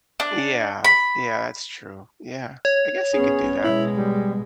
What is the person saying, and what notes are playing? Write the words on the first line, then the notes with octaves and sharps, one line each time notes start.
Yeah, yeah, that's true. Yeah. I guess you could do that.
D4
B5
C#5
B3 C#4 G#4
B2 G#3 E4
G3